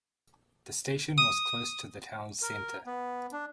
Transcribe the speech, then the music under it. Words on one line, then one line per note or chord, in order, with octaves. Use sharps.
The station was close to the town centre.
D#6
A#4
B3
D4